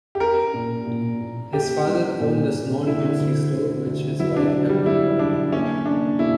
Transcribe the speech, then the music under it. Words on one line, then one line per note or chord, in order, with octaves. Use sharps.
His father owned a small grocery store, which his wife helped him run.
G4
C#4 A#4
A#2
A#2
A#2
C#4 G4
G3
A#2
A#2
D3 E4
D2
D2
D2
F#3 E4
D4
D2
G3
F#3 E4
D3 D4
A#3 C#4
A#3 D4
B2 E4